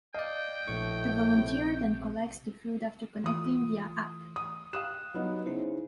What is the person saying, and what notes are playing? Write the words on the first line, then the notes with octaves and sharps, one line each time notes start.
The volunteer then collects the food after connecting via app.
D5 D#5 F5 G5
A#1 A2 C#6
C3
E3 A3 F4 D#6
D#6
G4 F5 D#6 F#6 E7
F#3 B3 D#4
C#3 D#4 E4 C5